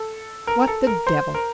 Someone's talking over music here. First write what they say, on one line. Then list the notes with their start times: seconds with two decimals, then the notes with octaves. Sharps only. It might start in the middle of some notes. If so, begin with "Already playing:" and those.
What the devil!
Already playing: A4
0.47 A#4
0.67 A4
0.87 A#4
1.07 C5
1.34 A#4